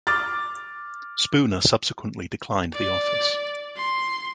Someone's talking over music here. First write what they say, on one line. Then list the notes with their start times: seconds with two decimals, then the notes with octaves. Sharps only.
Spooner subsequently declined the office.
0.07 D6 F6 A6
2.73 D5
3.76 C6